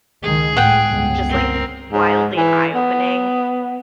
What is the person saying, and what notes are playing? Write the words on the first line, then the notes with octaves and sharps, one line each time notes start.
just, like, wildly eye-opening,
C#2 D#3 G#3 G#4
A2 G#3 F#5 G5
G1 C#2
C4 A#4
G#2
E3
B3